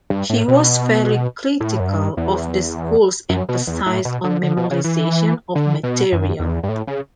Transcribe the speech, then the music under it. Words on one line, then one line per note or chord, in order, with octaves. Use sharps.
He was very critical of the school's emphasis on memorization of material.
G2
A2
B2
A2
F#2
G2
E2
F#2
B2
E2
A2
B2
D3
D3
B2
C#3
E3
D3
B2
F#2
E2
G2
A2
C#3